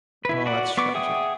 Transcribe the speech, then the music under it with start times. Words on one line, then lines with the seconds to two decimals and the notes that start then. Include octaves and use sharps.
Oh, that's tragic.
0.25 E4 B4
0.46 F#4 D5 F#5
0.77 B3 C#6 D6
0.95 G#4 E5 F#5 G5 D#6